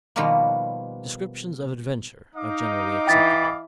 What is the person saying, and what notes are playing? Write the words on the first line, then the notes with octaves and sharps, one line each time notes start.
Descriptions of adventure are generally acceptable.
B2 D#3 F3 G3 A#3 B3
D#4 D#5 F5 D6
E3 G5 A6 B6